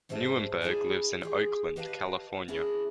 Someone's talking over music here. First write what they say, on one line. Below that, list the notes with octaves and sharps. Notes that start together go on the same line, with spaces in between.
Neuburg lives in Oakland, California.
G#2 G3 C5 E5 A5
D4 E4 G#4 D5 G#5
F4 G4 G#4
G4 B4 D#5 F5 F#5 A5
C#4 D4 E4 G#4 A#4